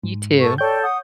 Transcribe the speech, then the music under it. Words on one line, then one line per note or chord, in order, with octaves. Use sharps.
You too.
G#2
A4 C#6
A4 C#5 D5 G5 G6
F#5 D#6